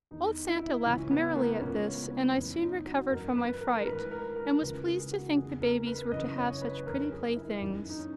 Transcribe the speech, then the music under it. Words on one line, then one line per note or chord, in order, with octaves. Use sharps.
Old Santa laughed merrily at this, and I soon recovered from my fright and was pleased to think the babies were to have such pretty playthings.
E2 D#3 D#4
E4
C#2 C#3 E3 C#4
B3
A#3
C#2 C#3 E3 C#4
B3
B3
F#2 E3 C#4
D#4
F#4
F#2 D#3 A#4
B4
A#4
A#4
G#2 E3 B4
A#4
A#4
C#2 C#3 E3 B4
G#4
F#4
E2 C#3 E3 G#4
A#4
B4
F#2 C#3 E3 D#5
C#5
B4
F#2 E3 A#4
G#4
E4
F#2 E3 D#4
D#4
C#4